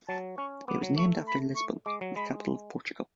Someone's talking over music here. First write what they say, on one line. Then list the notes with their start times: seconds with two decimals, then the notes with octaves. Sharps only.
It was named after Lisbon, the capital of Portugal.
0.08 F#3 A5
0.37 C#4 C#6
0.68 B3 D6
0.83 F#3
0.97 A3 C#6
1.27 B5
1.56 C#6
1.86 G#3 D6
2.01 F#3
2.16 G#3 B5